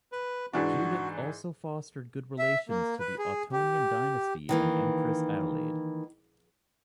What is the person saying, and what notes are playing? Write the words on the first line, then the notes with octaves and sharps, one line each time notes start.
Judith also fostered good relations to the Ottonian dynasty and Empress Adelaide.
B4
G#2 E3 D4 F#4
E5
A#3
B4
G#4
G4
D#3 E3 A#3